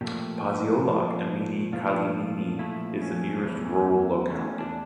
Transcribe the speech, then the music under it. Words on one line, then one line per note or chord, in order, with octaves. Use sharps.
Posyolok imeni Kalinina is the nearest rural locality.
A#2 F3 A3 G4
A#2 F3 A3
A#2 F3 A3 F4
A#2 F3 A3 E4
C#4
E2 E3 A3
E2 E3 A3 C#4
D4